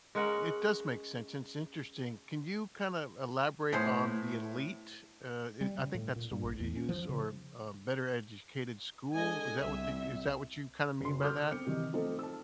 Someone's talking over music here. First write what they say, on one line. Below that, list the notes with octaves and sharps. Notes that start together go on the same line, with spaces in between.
it does make sense, it's interesting. Can you kinda elaborate on the elite? Uh, i I think that's the word you used, or, uh, better-educated school? Is that what the is that what you kinda mean by that?
G#3 C#4 A#4 F#5
A2 B3 G#4 C5
G3
C#3
A2
A#2
G2
A#1
E2
C#4
F3
C#3
D3 G#3 D#5 G#5
C2 E5
F#1 C6
A4 D6 D#6 F6 G6
C4 C#7
C3 D#3 E3
F3 A3 C4 D#4 A4 C5
A5 E6